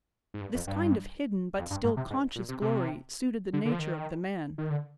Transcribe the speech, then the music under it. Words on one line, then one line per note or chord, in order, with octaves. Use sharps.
This kind of hidden but still conscious glory suited the nature of the man.
G#2
G2
F2
G2
F2
G2
G#2
C3
G#2
A#2
C3
C3
D3
D3
F3
D#3
D#3
D3